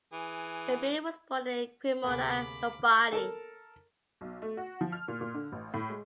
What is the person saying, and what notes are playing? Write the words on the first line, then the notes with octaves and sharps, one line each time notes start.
Cabrini was born in Cremona, Lombardy.
E3 G#4
D2 C3 A#3 G#4 B5 D6
A4 A#4
B1
A3
F#4
F3
F6
A#2
A#2
D3
A1
A2
G#3